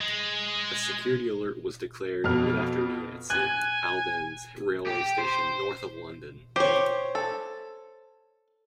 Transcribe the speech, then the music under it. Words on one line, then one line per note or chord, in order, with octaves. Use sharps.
A security alert was declared, mid-afternoon, at Saint Albans railway station, north of London.
G#3
F2 B2 F6
G#5 F#6 G#6
G4
C5
G4 C5 C#5
A4